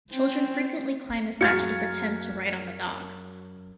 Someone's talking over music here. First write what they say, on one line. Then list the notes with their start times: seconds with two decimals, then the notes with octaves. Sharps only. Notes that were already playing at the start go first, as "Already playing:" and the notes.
Children frequently climb the statue to pretend to ride on the dog.
0.12 C4 C#4
1.41 F#2 G#3 F#4 F5 F6 G#6 A6 C#7